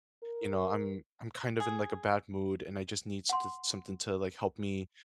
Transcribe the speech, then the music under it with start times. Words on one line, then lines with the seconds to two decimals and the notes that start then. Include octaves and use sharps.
you know, I'm I'm kind of in, like, a bad mood and I just need s something to, like, help me,
0.23 A#4
1.60 G#4
3.29 F#5 C6